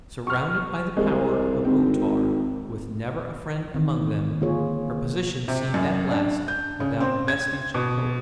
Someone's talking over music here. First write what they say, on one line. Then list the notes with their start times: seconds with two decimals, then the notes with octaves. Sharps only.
Surrounded by the power of O-Tar with never a friend among them, her position seemed at last without vestige of hope.
0.27 C#6 F6
0.97 C2 G#3
1.65 G#1 C4
3.74 D#3 E3 C4
4.41 D3 A#3 F4 G#4 C#5
5.48 C3
5.74 F#2
6.11 D4
6.48 G6
6.80 C#3
7.00 C4
7.28 G#6
7.74 B2